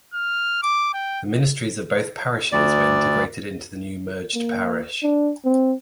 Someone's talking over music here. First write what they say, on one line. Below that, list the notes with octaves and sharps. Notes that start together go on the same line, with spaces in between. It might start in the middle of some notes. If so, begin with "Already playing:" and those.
The ministries of both parishes were integrated into the new merged parish.
F6
D6
G5
D2 D5
A#3
D4
C4